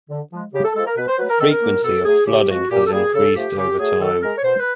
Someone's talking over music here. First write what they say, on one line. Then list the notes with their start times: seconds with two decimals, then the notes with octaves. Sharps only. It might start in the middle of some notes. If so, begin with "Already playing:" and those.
Frequency of flooding has increased over time.
0.09 D3
0.32 F3 G#3
0.54 C#3 G4
0.64 A4
0.75 F3 G#3 A4
0.86 A#4
0.97 B2 B4
1.08 C5
1.18 F#3 A3 B4
1.29 A#4
1.40 D#3 A4
1.50 A#4
1.62 F#3 A#3
1.83 B2 A4
2.05 F#3 A3 G#4
2.26 C#3 G4
2.49 F3 G#3 F#4
2.70 A#2 G4
2.86 A4
2.92 G3 A#3 G#4
3.14 C#3 A4
3.35 F3 A3 G4
3.57 C#3 G4
3.79 F#3 A3 G#4
4.00 D#3 A4
4.23 G#3 A#4
4.37 C#5
4.43 B2 C5
4.59 B4